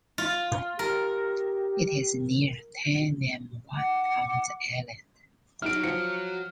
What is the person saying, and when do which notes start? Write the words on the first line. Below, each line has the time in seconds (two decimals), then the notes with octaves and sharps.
It is near Tai Nam Wan on the island.
0.18 F4
0.79 G4 A#4
3.75 F#5 D6
5.62 F#3 D#4 E4 F6 D7
5.83 F3 C#7